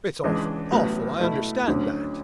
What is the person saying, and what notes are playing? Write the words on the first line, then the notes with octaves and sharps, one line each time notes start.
It's awful, awful, I understand that!
C#2 C#3 E3 G#3 D4
A1 A2 F#3 B3
B2 A3 E4
D2 D3 F#3 C#4